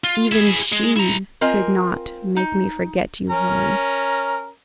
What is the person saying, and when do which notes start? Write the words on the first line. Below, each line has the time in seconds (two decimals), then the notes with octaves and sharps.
Even SHE could not make me forget you, Helen.
0.04 F4
0.32 E4 G#4
0.72 G#3
0.96 E4 A#5
1.41 C4 F4 A#4 D#5 G#5
2.36 D#4
3.30 C#4 A#4 A#5